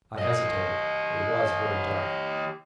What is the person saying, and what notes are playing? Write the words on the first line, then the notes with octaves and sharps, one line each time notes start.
I hesitated: it was very dark.
G4 D#5